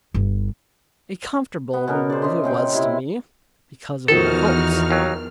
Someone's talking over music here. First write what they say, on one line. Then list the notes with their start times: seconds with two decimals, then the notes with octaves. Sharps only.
A comfortable remove it was to me, because of my hopes.
0.14 G1
1.73 B3
1.88 B2 C#4 A#4
2.10 C5 D5
2.22 C#3 D#5 E5 C6
2.44 A#2 C#3 G5 C6
2.73 C3 E4 C6
4.08 E2 D#3 F3 D#4 F#4 A4 F6
4.90 D#2 F#3